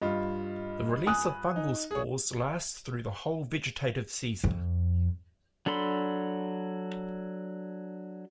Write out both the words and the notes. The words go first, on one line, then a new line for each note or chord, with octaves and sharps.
The release of fungal spores lasts through the whole vegetative season.
G2 F4 D#5
G#5 D#6 F#6
D#4
G#4 C#5
F2
F#3 D4 A4 B5 C6